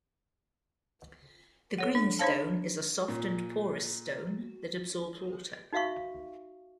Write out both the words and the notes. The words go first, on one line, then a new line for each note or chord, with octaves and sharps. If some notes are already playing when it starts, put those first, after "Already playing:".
The greenstone is a soft and porous stone that absorbs water.
A4 C#5 F#5
D4
D4 D#4 C5 C#5 F5 A5
A#2
D#4 F#4 E5 F5 C#6